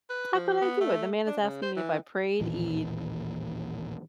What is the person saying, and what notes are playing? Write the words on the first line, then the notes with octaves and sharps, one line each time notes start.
How could I do it? The man is asking me if I prayed, eat,
B4
F3
B3
A3
D4
C#3
C5
E3
A1 D#2 A#2 E3